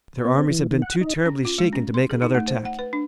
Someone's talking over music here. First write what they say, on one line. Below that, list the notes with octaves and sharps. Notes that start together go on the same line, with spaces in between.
Their armies had been too terribly shaken to make another attack.
B3
C4
E3
D#3
F#5
D#4
C#4
F4
G#3
C#4
C6
G#4
D#4
A3
C5
F#5
B4
D4